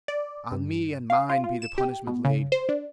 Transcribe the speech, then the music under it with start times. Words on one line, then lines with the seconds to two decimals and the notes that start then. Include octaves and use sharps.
On me and mine be the punishment laid.
0.08 D5
0.52 G2
1.10 F5
1.29 F4
1.44 F4
1.62 E7
1.78 G4
2.07 B2
2.25 C#3
2.52 C5
2.69 D4